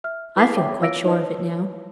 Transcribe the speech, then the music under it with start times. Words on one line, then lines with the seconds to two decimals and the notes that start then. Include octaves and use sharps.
"I feel quite sure of it now."
0.04 E5 F6
0.36 E4 B4 G#5 D6 B6 C7
0.56 C#5 E5 G5 D6
0.80 F4 C#5 F5 E6 A#6 D7
1.04 D#4 E4 B4 C#5 D#5 A5